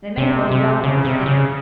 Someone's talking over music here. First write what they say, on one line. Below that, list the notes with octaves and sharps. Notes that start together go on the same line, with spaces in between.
They may hold you up all the same.
C3
C3
C#3
C3
C#3